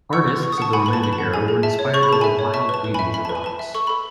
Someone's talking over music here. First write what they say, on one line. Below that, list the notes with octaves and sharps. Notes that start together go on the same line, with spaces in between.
Artistis of the Romantic era were inspired by the wild beauty of the rocks.
F#5 C#6 E6
B4
B4 C#6
D#6
F#5 A5 C#6
F#5 G#5 B5
B4 B5
A5
B4 B5
A5
F#5
G#4 G#5
G#4
E5 A5
C#5
G#4 C#6
B5
G#4 A5
E5 G#5 B5
C#5
E5 A5 C#6
B4 A5
B4
E5 G#5 B5
E5 B5
B4 A5
G#5
B4 A5
E5
A4 C#6
A4 B5